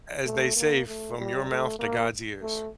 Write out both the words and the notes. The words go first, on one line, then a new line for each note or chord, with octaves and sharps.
as they say, from your mouth to God's ears.
A3
A#3
A3
G3
A3
A#3
A3